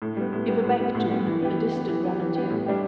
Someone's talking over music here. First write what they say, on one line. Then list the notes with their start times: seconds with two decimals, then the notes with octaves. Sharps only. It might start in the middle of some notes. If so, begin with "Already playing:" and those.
If a back tooth, a distant relative.
0.02 A2
0.17 G3 B3
0.33 A2
0.48 G3 B3
0.64 A2
0.79 G3 B3
0.95 A2
1.10 G3 B3
1.27 E3
1.42 B3 G4
1.58 E3
1.72 B3 G4
1.88 E3
2.04 B3 G4
2.20 E3
2.35 B3 G4
2.51 A2
2.66 G3 D4 G4